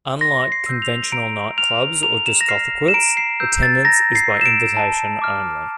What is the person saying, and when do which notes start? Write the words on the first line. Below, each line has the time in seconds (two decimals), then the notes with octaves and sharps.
Unlike conventional nightclubs or discotheques, attendance is by invitation only.
0.21 C6 A#6
0.52 C7
0.66 E6 G6
0.82 F7
1.12 A#5 D7
1.58 F6 F7
2.03 A#5 F7
2.26 E7
2.41 A#6
2.49 F6 C7
2.88 E7
2.94 A#5 D7
3.17 C7
3.40 E6 G6
3.63 A6
3.85 A#5 A#6
4.15 C7
4.30 E6 G6
4.41 E7
4.46 D7
4.77 A5
5.22 D6 F6